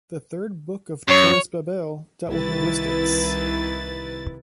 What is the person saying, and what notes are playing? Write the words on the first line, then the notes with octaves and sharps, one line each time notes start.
The third book of "Turris Babel" dealt with linguistics.
F#2 C#5
C2 D#3 E4 B4 A6